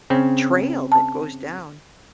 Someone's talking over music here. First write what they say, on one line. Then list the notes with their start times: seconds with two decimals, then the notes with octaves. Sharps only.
trail that goes down,
0.10 C#3 C4 C#4
0.92 A5